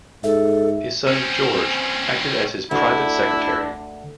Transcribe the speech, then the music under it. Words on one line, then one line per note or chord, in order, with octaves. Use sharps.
His son, George, acted as his private secretary.
G#2 A4 E5
C4 C#4
D2 D4 E4